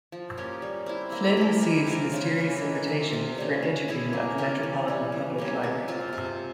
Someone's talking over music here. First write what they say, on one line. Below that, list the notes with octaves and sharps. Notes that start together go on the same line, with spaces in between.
Flynn receives a mysterious invitation for an interview at the Metropolitan Public Library.
F3
A#3 C#4 G4
G3
C4 E4
A#3
E4 G4
G#3
C4 F4 A#4
C#3
E3 A#3
G#3
C4 F4
C3
G3 C#4
G#3
C#4 E4 G#4
A#3
C#4 G4 A#4
E3
G3 C#4
E3
A#3 C#4 G4
G#3
C4 F4
C3